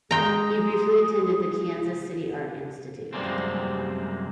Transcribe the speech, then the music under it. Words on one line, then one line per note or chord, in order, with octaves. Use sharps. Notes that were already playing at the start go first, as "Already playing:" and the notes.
He briefly attended the Kansas City Art Institute.
G#3 G#4 G5 A#5
F#2 C3 G3 G#3 A#3 C4